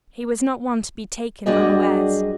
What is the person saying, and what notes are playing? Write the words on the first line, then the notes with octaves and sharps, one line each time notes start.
He was not one to be taken unawares.
F#2 G3 D4 F#4 G#4 D#5